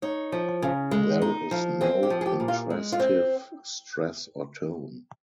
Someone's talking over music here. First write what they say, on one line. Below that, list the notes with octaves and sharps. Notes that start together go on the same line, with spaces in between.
There is no contrastive stress or tone.
D#4 C#5
F3
C#3
G#3
D#4
F3
C4 G#4
G4
F3
G#4
G4
A#2
F4
G#3
F4
C4